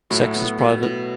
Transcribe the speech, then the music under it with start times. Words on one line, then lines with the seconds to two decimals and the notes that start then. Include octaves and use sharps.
Sex is private.
0.10 A2 F#3 A3
0.35 B3
0.58 B2
0.83 B2